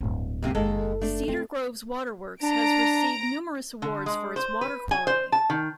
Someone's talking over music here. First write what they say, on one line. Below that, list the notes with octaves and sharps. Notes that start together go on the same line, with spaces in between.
Cedar Groves waterworks has received numerous awards for its water quality.
D1 G2
F#2 C3 A#3
F#1 D#2 G#3 A4
A3 D4
D2 D#3 C4
D4 A#5 D7
D3
G#3
C5
B4
G#5
C5
A5
D#3